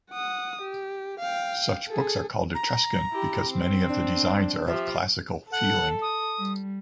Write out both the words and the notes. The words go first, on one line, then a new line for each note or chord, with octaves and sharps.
Such books are called Etruscan, because many of the designs are of classical feeling.
F#5 D#6
G4
F5 G5
G#4 A4
A#5
E4 G4
C4
D4
F3 G4 E5
A4 F#5
D#6
G3